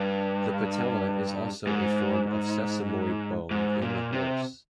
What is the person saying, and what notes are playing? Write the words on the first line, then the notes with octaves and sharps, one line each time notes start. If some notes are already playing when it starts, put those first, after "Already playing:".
The patella is also a form of sesamoid bone in the horse.
Already playing: G2
G#2
G#2
A#2
C3